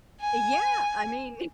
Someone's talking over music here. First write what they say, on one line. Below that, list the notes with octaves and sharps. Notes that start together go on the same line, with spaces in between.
Eh yeah. I mean,
G#5